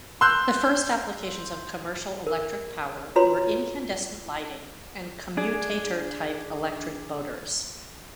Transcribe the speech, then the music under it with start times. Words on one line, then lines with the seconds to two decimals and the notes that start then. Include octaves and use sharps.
The first applications of commercial electric power were incandescent lighting and commutator-type electric motors.
0.21 C6 E6 F#6 G6
2.27 A#4
3.16 F4 F#4 B4 C#5 A#5 C6
5.37 D4 G#4